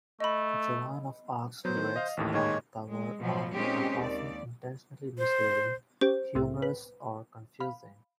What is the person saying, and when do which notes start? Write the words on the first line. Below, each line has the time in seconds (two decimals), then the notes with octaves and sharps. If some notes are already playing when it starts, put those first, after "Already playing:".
Joan of Arc's lyrics and cover art are often intentionally misleading, humorous, or confusing.
0.20 A3 D#5 B5
1.65 F#3 B3 C5
1.77 D#3
1.96 D#5 F5
2.17 A1 D#2 A2
2.34 D#2 G#2 G#3 C#5
2.88 G#3
3.20 B2 F3 F#3
3.53 A#2 G#3 C4 C#4 D#4 G4
3.98 D#2 D5
5.18 C5
6.01 C#4 G4 C5
6.35 C2 A2
6.62 B4
7.60 F5 B5